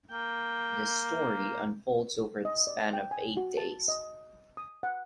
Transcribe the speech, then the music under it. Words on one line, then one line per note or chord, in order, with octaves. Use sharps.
The story unfolds over the span of eight days.
A#3 G5
D#5
D5
G5
G#5
F#4
A5
D#5
D#6
F#5